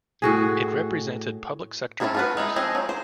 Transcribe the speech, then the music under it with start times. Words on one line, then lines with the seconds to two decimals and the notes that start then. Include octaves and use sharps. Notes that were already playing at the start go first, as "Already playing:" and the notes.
It represented public sector workers.
0.22 A2 F#4 G#4
2.00 F3 A3 C4 C#4 E4
2.15 F4 F#4 B4
2.37 G#3 D#4 E4
2.56 F3 C4 G#4 C5 D#5
2.75 F#3 E4
2.89 C5